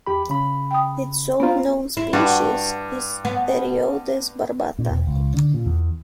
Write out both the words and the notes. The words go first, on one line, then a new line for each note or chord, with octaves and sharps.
Its sole known species is Eriodes barbata.
E2 G4 B5
C#3 B5
G5 D#6
B3 C4 F4 C5 A#5
E4
G2 F#4
B3
A#2
E1
C#2
D3
A#2
E2